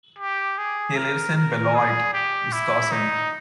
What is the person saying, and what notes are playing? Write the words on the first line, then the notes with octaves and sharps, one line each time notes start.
He lives in Beloit, Wisconsin.
G4
G#4
A#4
A#4
G#4
G4
E4
D#4